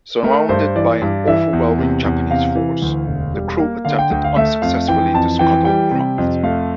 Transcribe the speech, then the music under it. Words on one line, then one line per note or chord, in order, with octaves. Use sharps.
Surrounded by an overwhelming Japanese force, the crew attempted unsuccessfully to scuttle the craft.
A3 A#4
G2 C5
E3 D5
G2
E3 E5
E2
C3
E2
C3 F5
E3
D2
E1
G3
A#3
D3 F5
G5
D2 G5
F5
A3 E5
F2 F5
E3 G5
F2 A5
E3 G5
G3 G5
C3
F2
A3 F5